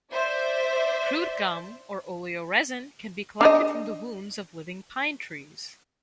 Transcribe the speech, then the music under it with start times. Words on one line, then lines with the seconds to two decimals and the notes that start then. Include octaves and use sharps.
Crude gum or oleoresin can be collected from the wounds of living pine trees.
0.12 C5 D5 E5
3.41 D4 D#4 D#5